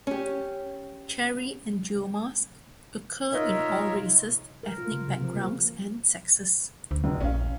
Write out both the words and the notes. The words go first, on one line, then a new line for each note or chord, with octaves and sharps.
Cherry angiomas occur in all races, ethnic backgrounds, and sexes.
C#4 G4
D#4 F4 A#4 C#5 D#5 E5
A#4
F4
C#3
C3
F3
A#3
D2
F1
A#1 C#4 F5